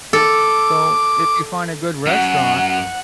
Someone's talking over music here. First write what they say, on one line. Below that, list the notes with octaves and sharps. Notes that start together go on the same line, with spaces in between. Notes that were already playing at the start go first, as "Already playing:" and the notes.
So, if you find a good restaurant,
A4 D6
F#2 F#5